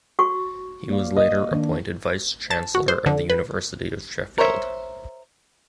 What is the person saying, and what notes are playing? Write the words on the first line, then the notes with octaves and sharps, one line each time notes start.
He was later appointed Vice-Chancellor of the University of Sheffield.
F#4 C#6
A#3 D5 F5
D#5
D#3 A#3 D4
A5
F#4
C5
D3
B4
A#4 C5 C#5 E5